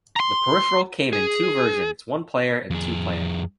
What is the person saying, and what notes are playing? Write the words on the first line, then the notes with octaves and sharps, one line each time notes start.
The peripheral came in two versions: one player and two-player.
A#5 C6
G#4
F2 G#4